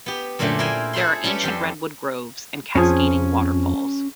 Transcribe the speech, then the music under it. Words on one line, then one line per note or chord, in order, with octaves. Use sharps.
There are ancient redwood groves and cascading waterfalls.
B3 G4
F#2 A#2 D3 F#3 A3 G4
E4 F4 A#4 C5 G5 G#5
G#4 A4 C5 B5 C6
G3 C#4 A4 B4 D5
F2 G4 C6
F2 F3 C#4 G#4 F5 G#5